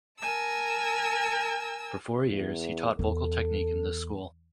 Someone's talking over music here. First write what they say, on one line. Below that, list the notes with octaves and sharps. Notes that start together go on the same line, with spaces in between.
For four years he taught vocal technique in this school.
A#4 G#5 A5 E6
E2
E2 A4